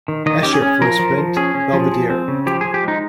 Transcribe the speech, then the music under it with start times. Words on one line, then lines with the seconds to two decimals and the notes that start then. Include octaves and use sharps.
Escher for his print "Belvedere".
0.08 D#3
0.26 D#3 D#5
0.43 C#4 G4
0.54 G#4
0.62 C#4
0.81 F3 A#4
0.99 F3
1.18 F3
1.37 C#4 G#4
1.55 C#4
1.73 F3
1.92 F3
2.10 C4
2.28 C#3
2.46 F3 G4
2.61 F3 G#4
2.74 G4
2.83 G#3 D#4